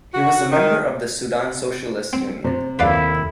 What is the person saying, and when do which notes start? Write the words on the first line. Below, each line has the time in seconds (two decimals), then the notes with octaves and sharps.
He was a member of the Sudan Socialist Union.
0.13 F#4
0.51 D#3
2.13 C4
2.44 C3 C5
2.79 D#2 E4 A4 B4 D5 F5